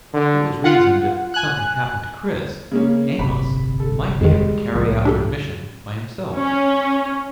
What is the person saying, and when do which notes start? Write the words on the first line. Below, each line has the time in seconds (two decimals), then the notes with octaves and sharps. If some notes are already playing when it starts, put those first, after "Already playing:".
It was reasoned if something happened to Chris, Amos might be able to carry out their mission by himself.
0.13 D3
0.64 F4 F#5
1.34 G#5 F#6
2.71 C#3 A#3 C#4
3.19 D1 G1 C3 B5
3.80 A4
4.21 F2 D#3 G3 G#3
4.75 C2 A2 F3
5.05 D4 G4 A4
6.35 C#4